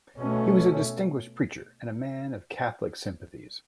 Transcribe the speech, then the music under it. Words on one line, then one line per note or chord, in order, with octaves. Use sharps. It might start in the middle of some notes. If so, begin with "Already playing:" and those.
He was a distinguished preacher and a man of Catholic sympathies.
B2 A3 C#4